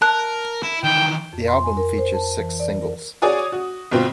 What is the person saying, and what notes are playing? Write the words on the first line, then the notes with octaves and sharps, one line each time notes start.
The album features six singles.
A#4 A5 F#6
E4
D#3 E3 G5
F2
C6
G#5
A#4
C5
A5
E3
D5
A#4
F#4 G#4 C#5 D5 G#5 D#6
F#4
G1 B2 C4 F4